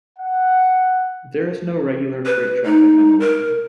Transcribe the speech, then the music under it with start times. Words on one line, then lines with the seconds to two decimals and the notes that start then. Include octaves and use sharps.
There is no regular freight traffic on the line.
0.18 F#5
2.26 B4
2.65 D#4
3.20 A#4